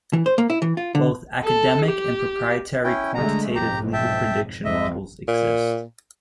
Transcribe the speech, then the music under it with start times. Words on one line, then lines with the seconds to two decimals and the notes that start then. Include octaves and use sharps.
Both academic and proprietary quantitative legal prediction models exist.
0.13 E3
0.26 C5
0.38 A#3
0.50 E4
0.62 E3
0.77 F4
0.95 D3
1.44 A4
1.85 G4
2.84 C#4 E4 G5
3.14 D3 G#3 A3 A#5
3.55 B1 F2 G#2 G4 A#5
3.93 E5 G5 A5
4.65 F2 D#5 E5
5.28 A#2